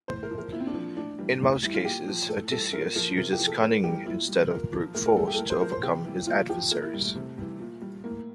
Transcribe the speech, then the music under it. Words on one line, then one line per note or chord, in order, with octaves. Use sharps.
In most cases, Odysseus uses cunning instead of brute force to overcome his adversaries.
A2 C5
A#4
F3
A#4
A#2 E4
C4
D4
F3
A2 D4
E3 G3
A2
E3 G3 E4
F4
A#2 G4
F3
A2 A4
E3 G3 A4
A#2 A#4
F3 A#4
C3 A#4
G4
F3
A4
A2 A#4
E3 G3 G4
A#2 E4
G3
A#2 A#4
F3
A2 A#4
A#4
G3 A4
G4
A4
A2 A#4
C5
F3 A#4
C5
C3 G4
E3 G3
A#2 F4
F3 G4
A#2 A#4
E4
G3
A3
C3
E3 G3
A#2
G3
A2 A#3